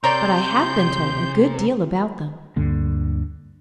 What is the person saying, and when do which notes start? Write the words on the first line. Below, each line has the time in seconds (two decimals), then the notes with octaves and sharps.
"But I have been told a good deal about them."
0.04 C3 A#4 C#5 D5 C6 G6
2.56 D2 G2 D3 A#3